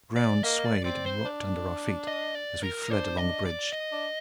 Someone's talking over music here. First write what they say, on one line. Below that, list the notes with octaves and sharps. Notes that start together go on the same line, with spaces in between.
The ground swayed and rocked under our feet as we fled along the bridge.
D5
A#3 D#5
D5
C4 D5
C5
D4
D#5
D5
A#4
D4 C5
D#5
D5
D#5
D4